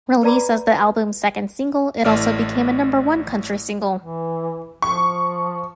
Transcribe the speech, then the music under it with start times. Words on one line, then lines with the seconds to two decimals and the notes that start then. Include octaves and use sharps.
Released as the album's second single, it also became a number-one country single.
0.23 B4 D5 A#5 B5 D6
2.05 A1 A2 A3 D5 F6
3.99 E3
4.82 F3 C#6